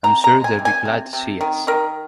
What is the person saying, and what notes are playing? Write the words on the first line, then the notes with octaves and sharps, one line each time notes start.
I'm sure they'd be glad to see us.
C3 A#5
A#5
G#3
G#5
C3
G#5
C3
C3
D#3
D#3 A#4